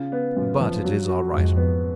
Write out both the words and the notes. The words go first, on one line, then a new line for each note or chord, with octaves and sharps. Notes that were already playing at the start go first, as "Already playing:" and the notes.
But it is all right.
Already playing: C#3 F4
B3
F#2
F3
F#3
F#4
F2 G#2
B3